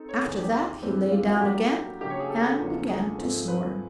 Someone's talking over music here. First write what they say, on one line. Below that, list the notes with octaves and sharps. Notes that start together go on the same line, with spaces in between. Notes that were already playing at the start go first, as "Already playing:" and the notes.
After that he lay down again, and began to snore.
Already playing: C4 D#4 A4
C#5
E2 C3 D#3 G#4
G4
G2 E3 G3 C4
F4
F#4
A2 F#3 A#3 D4 G4
C#3 F#3 A#3 D4 G4
C#5
G#4
A4
E2 C#3 F3 A#3 D4
G#4
G#2 F3 A3 C4
B4